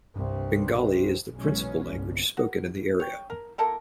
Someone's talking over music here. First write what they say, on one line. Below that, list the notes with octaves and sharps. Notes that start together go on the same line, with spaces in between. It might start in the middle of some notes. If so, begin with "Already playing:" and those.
Bengali is the principal language spoken in the area.
C2 G2 C3
B1 E3 F#3 G#3 C#4
G1 C2 G2
F#4
C#5 G5
A#4
A#3 E4 A4 A#4